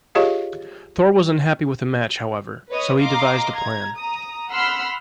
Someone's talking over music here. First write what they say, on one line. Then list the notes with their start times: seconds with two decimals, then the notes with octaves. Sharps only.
Thor was unhappy with the match however, so he devised a plan.
0.15 F4 G4 G#4 C#5 D#5 F5
2.70 B4 C#5 D#5 D#6
2.99 D#5 F5 A#5 C6 D6
3.54 A#5 G#6
3.96 A#5 D#6
4.51 F#5 B5 C6 E6 F6